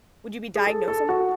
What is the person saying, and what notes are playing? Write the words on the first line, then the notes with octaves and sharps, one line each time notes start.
Would you be diagnosing?
G#4
A4
A4
F#4